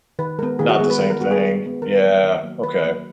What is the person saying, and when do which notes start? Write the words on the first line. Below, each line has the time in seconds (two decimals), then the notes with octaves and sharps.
Not the same thing. Yeah, okay.
0.19 D#3 B4
0.39 G#3 B3 A#4
0.59 D#3 G#4
0.69 F#4
0.80 G#3 B3 G#4
0.90 B4
1.00 D#3 A#4
1.10 A#4
1.20 G#3 B3 F#4
1.31 G#4
1.41 D#3
1.61 G#3 B3
1.82 D#3 A#4
2.02 F#3 A#3
2.23 D#3
2.44 F#3 A#3
2.64 D#3 B4
2.84 F#3 A#3